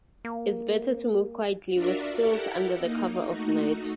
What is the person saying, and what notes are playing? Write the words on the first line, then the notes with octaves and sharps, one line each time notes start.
It's better to move quietly, with stealth, under the cover of night.
A#3
D4 F4 F#4 A#4 D5 E5
E4 G4 A4 A#4 F#5
A#3 D#4
A3 D#4 F#4